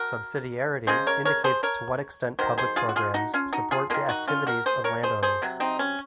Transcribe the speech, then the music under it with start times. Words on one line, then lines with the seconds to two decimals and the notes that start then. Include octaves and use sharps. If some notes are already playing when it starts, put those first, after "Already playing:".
Subsidiarity indicates to what extent public programs support the activities of land owners.
Already playing: F#4 A#4
0.87 C#3 G#3 G#4 C5
1.07 A#4 C#5
1.25 A#4 C#5
1.44 G#4 C5
1.63 A#4 C#5
2.39 D#3 F#3 C5
2.58 G#4 C5
2.76 F4 G#4
2.89 F#4
2.96 F4 G#4
3.14 D#4 F#4
3.33 C#4 F4
3.53 D#4 F#4
3.71 F4 G#4
3.90 A#3 F4 G#4
3.94 D#3
4.09 D#4 F#4
4.28 C#4 F4
4.47 F#4 A#4
4.66 G#4 C5
4.84 A#4 C#5
5.03 G#4 C5
5.23 G#4 C5
5.42 C3 F#3
5.60 C4 D#4
5.79 C#4